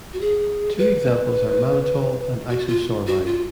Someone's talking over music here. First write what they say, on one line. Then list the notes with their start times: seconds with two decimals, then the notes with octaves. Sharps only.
Two examples are mannitol and isosorbide.
0.13 F#4
0.21 G#4
0.78 B4
2.50 F#4
2.68 F4
3.07 F#4
3.26 F4